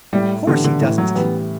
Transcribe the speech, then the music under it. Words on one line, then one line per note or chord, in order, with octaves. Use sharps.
Of course he doesn't.
A2 G3
D3 E3 G3
D3
A2 E3
F#3
E3 G3 B3